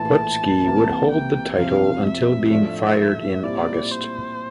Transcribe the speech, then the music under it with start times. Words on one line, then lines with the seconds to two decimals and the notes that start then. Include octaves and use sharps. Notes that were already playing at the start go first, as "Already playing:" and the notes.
Putski would hold the title until being fired in August.
Already playing: A#1 A2 E3 A3 E4 A5
0.65 C2 C3 E3 A#3
1.11 G5
1.57 F2 C3 F3 C4 F5
2.05 E5
2.51 A2 F3 A3 D4 F4 E5
3.44 A#2 G3 C4 E4 D5
3.91 C5